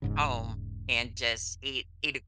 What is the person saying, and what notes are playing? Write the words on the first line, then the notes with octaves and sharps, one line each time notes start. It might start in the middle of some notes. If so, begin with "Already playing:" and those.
home and just eat eat a
E1 G#2 C#3